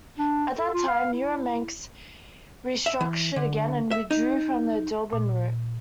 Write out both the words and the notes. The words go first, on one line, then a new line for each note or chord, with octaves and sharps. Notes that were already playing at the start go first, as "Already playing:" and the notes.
At that time, EuroManx restructured again and withdrew from the Dublin route.
D4
A4
F4
F5
E4
E5
E3
D3
E5
D#4
A#2